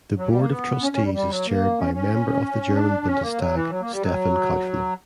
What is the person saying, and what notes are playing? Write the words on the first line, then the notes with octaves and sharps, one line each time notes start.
The board of trustees is chaired by Member of the German Bundestag Stefan Kaufmann.
F#3
G3
A#3
B3
C#4
C#4
G3
G3
F#3
A#3
C#4
C#4
D4
C#4
A#3
F#3
E3
F#3
A#3
G3
F#3